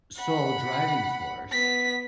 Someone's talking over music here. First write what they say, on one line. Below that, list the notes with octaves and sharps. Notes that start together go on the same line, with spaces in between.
sole driving force
F#5 B5
B3 B6